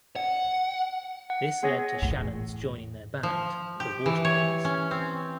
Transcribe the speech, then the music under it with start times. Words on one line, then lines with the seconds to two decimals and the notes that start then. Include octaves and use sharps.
This led to Shannon's joining their band, The Waterboys.
0.16 F#5
1.30 F#5
1.63 B3 G#4 C#5 A#6
2.02 E2 A2
3.23 F3
3.80 G4
4.06 E3
4.25 C#5
4.65 C#4
4.91 C4